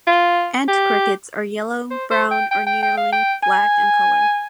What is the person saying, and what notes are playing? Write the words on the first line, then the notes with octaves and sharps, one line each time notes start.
Ant Crickets are yellow, brown, or nearly black in color.
F4
G4
C5
C5
G5
G5
G5
G5
F5
G5
G#5